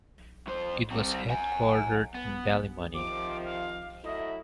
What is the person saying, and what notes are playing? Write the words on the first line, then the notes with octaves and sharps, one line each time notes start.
It was headquartered in Ballymoney.
F2 C5
G3 C4
F#5 G#5
B3
C3 D#3 F3 D6
F5
F#3 A3 E4 D#5